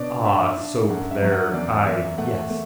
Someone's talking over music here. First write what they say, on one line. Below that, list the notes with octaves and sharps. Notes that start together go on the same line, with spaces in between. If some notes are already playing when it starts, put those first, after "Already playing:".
Ah soap there I yes.
Already playing: B2 D4 D5
D4 E5
D4
F#2 F#5
E5
F#3
F#5
E2 D5
E2 E5
A3 F#5
A3